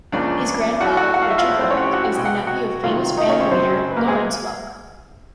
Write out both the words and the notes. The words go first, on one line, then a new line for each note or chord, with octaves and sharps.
His grandfather, Richard Welk, is the nephew of famous band leader Lawrence Welk.
C#2 C#3 F3 A#3 D4 D5
A2 F#3 A3 F#4 F#5
F#4 F#5
F#5
F5
E5
F4 F5
A2 F3 A3 E4 E5
C4 C5
C#4 C#5
F#5
G4 G5
F#4 F#5
F#5
C2 B2 G#3 G5
F#5
G5
F#4 F#5
C2 C3 D#3 F#3 F4 F5
D#4 D#5
C#4 C#5
C4 C5
F#2 C#3 F#3 C4 C5
B4
A#3 A#4
G#3 G#4